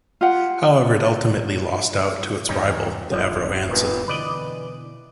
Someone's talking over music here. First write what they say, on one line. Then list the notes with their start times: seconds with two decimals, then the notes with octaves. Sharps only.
However, it ultimately lost out to its rival, the Avro Anson.
0.21 F4 G4 F#5
2.49 E2 G#2 C3 G3 C#4 D#4
3.12 D#1 C2 D3 F3 F#3
3.69 G2 A#2 D#3 B3
4.08 B2 D3 E3 B4 D5 D#5